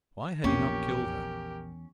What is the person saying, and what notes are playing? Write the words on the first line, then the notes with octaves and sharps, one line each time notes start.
Why had he not killed her?
A#1 E2 A#3 C#4 G4 A#4